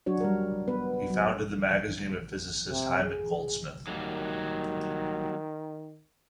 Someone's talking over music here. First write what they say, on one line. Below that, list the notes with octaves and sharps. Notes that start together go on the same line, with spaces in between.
He founded the magazine with physicist Hyman Goldsmith.
F#3 D4 F#4 C#5
G3 A#4
B3 B4
F#3
C3
G#4
D#3 F#3 G3 A#3